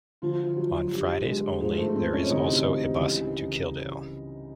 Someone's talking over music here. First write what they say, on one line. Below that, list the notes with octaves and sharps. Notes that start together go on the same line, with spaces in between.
On Fridays only there is also a bus to Kildale.
D2 D3 F3 F4
F4
F#3 F#4
G2 D3 F#3 G3 G4
G#3 G#4
G#2 F3 G#3 G#4
A3 A4
C4 C5
C#4 C#5
D2 C3 E3 G3 D#4 D#5
C#2 C#3 E3 G3